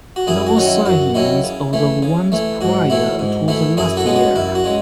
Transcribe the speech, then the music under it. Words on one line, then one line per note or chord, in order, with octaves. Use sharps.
There were sightings of the ones prior to the last year.
F#4
F#2 E4 G#4
F#4
D#3 F#3 C#4
E4
F#2 F#4
D#3 F#3 C#4 E4
C#3
E3 A3
C#3
E3 A3
G#2 F#4
E3 A3 E4
G#2
E3 A3 E4
F#2 E4 G#4
F#4 A4
C#3 G#3 B3
F#4
F#2 E4
F#4
C#3 G#3